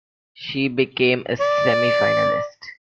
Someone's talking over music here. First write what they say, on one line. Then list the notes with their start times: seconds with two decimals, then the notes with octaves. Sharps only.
She became a semi-finalist.
1.41 D5